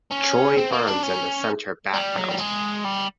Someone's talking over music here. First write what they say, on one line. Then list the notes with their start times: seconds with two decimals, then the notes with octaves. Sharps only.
Troy burns in the centre background.
0.11 C#4
0.57 C4
0.71 A#3
0.87 D4
1.03 C#4
1.94 G3
2.16 F#3
2.29 G3
2.39 G#3
2.85 G3